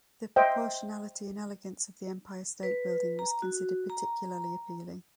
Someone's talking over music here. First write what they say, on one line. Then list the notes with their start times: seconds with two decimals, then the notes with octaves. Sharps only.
The proportionality and elegance of the Empire State Building was considered particularly appealing.
0.36 C5 D#5 E5 G5
2.63 B4
3.19 A#5
3.42 F#4
3.90 A#5